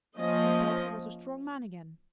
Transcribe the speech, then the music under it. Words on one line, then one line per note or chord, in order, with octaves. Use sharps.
He felt he was a strong man again.
F3 A#3 C#4 D#5